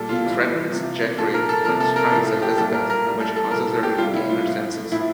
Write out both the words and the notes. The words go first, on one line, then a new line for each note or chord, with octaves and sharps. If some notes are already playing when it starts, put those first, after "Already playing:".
He threatens Jeffrey and strikes Elizabeth, which causes her to regain her senses.
Already playing: A#2 G3 A4
F4
A2 E3 G3
C3 F3
A#2 F3 A4
A#4
A4
C3 F3 A#4
A4
A#4
A2 F3 A4
A4
G4
A#2 G3 A4
A#4
A#4
A2 G3
A4
A4
A2 F3 A#4
A4
G4
C3 G3 F4
E4
F4
A2 F3
A2 F3 E4